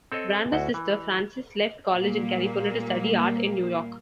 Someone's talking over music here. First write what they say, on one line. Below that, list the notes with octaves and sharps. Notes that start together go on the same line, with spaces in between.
Brando's sister Frances left college in California to study art in New York.
C4 A4 C#5 D#5
D2 E4 F#4
E3
A#2 G3 A#3